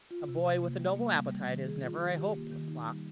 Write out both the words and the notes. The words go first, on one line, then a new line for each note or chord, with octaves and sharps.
A boy with a noble appetite is never a hopeless lock.
F4
C3
C3
A#3
G3
A#3
G3
G3
D#3
G#4
F4
D#3
G4
A#3
D#3
D#4
G3